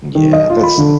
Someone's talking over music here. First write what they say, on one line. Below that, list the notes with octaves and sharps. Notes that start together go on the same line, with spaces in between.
Yeah, that's n
D#3
D#5
F4
B5
D3